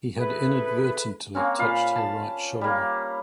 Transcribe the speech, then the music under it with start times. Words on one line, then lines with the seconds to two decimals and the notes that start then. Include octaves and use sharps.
He had inadvertently touched her right shoulder.
0.18 E4 G#4 A4 B4
1.35 A#3 C4 C#4
1.59 A#2 F5 B5
1.96 A5
2.61 G3 A#3